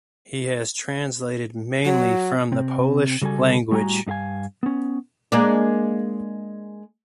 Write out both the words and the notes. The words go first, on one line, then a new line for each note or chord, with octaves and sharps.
He has translated mainly from the Polish language.
F#3
C3 C4
C#3 G3 F#4 A4 G#5
A2 G3 F#4 G5 G#5 A#5
G2 D#4 G4 F5 G#5
B3 C#4
G#3 A#3 D4